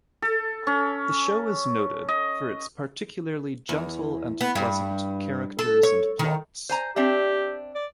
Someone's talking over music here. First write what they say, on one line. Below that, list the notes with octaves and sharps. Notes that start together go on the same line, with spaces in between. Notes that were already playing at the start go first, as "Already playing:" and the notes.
The show is noted for its particularly gentle and pleasant characters and plots.
A4
C#4
D#5
E2
B3
G2
A4
C#5
D#3
C5 G#5 A#5
C4 D4 G4 E5
D5